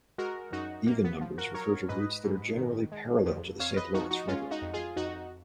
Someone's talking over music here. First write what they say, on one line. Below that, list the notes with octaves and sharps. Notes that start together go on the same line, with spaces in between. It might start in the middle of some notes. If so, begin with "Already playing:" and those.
Even numbers refer to routes that are generally parallel to the Saint Lawrence River.
G#3 F#4 A#4
F#2 D#4 F#4
F#2 A#3
B3
F3
F#4 A#4
F#3 A#4 C#5
G#2 B4 D#5
G#2
D#3
G#3
F2
F2 C#5 F5
B4 D#5
F3 D#4 F#4
D#4 F#4
G#3 C#4 F4
D#4 F#4
F2
F4 G#4
F2 D#4 F#4